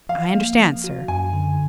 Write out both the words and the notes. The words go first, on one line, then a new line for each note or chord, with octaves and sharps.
"I understand, sir."
F3 F5
A#3
F3
F#4
F#2 G#5
D3